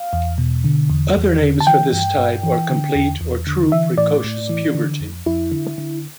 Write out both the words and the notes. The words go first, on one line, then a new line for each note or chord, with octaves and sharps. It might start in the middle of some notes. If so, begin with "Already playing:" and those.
Other names for this type are "complete" or "true precocious" puberty.
Already playing: F5
E2
B2
D3
E2
E2
D3
A5
E3 G5
G2
G2
E3
D3
E2
E2
D3
E3 E5
A2 D5
A2
E3
D3
F2
F2 E4
D3
D3